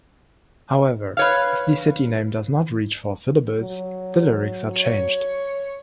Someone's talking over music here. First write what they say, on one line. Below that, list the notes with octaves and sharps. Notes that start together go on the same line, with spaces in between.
However, if the city name does not reach four syllables, the lyrics are changed.
B4 C#5 F5
F#3
C#5